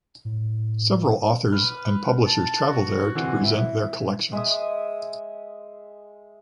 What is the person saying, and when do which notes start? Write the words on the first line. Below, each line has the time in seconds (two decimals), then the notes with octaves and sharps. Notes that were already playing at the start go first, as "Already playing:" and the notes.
Several authors and publishers travel there to present their collections.
0.25 A2
1.52 B4 F6
2.26 A5
2.68 F#4
3.15 D3 E3 C4
3.43 E4
4.33 G#3 E5 D#6